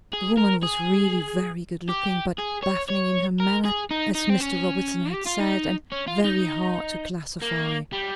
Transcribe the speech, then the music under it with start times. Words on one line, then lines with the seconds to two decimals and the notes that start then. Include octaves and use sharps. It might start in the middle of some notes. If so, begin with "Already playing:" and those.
The woman was really very good-looking, but baffling in her manner, as Mr. Robinson had said, and very hard to classify.
0.13 G#4
0.37 A#4
0.63 G#4
1.89 G4
2.39 G#4
2.64 C#5
2.90 C#5
3.40 A#4
3.65 G#4
3.91 D#4
4.15 D#4
4.30 C4
4.41 C#4
5.13 G4
5.27 F4
5.40 D#4
5.92 C#4
6.07 F4
6.24 D#4
7.42 A#3
7.93 G3